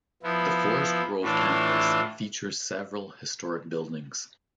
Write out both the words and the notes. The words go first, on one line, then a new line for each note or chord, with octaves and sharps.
The Forest Grove Campus features several historic buildings.
F3 B3 E4
A2 E3 A3 D4 F4